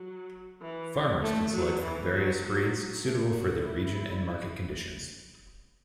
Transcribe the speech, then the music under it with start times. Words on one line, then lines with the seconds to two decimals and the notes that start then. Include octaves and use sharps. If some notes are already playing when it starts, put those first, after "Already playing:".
Farmers can select from various breeds suitable for their region and market conditions.
Already playing: F#3
0.62 E3
1.22 A3
1.53 F#3
1.82 E3
2.13 F#3
2.43 F#3
3.04 A3
3.33 F#4
3.63 E4